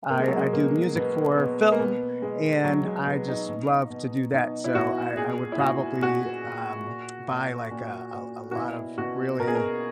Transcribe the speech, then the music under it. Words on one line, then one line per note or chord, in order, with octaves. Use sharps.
I I do music for film, and I just love to do that, so I I would probably, um, buy, like, a a a lot of really,
B2 A#3
G#3
F#3
G#3
B2 A#3
B2 B3
B2 B3
A#3
B2 B3
B2 G#3
B2 F#3
G#3
B2 B3
D#4
B2
B2
B2 D#4
E4
B2 F#4
A#2 G#4
E4
A#2 F#4
A#2 F#4
A#2
A#2
A#2
A#2
A#2
F#4
B2 E4
B2 F#4
B2 A#4
G#4
A#4